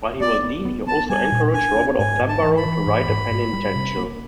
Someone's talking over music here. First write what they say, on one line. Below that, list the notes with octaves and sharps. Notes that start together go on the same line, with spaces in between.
While he was dean, he also encouraged Robert of Flamborough to write a penitential.
B3 D5
B3
B3
B3 A5
G3 G#5
A#2
D4 G#5
D4
G#2 G#5
G#2
A5
E3
B5
E3
G#2
G#2
G#2
G3
C3
A#3